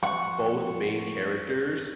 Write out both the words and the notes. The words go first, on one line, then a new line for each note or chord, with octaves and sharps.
both main characters,
F2 F#5 C6 C#6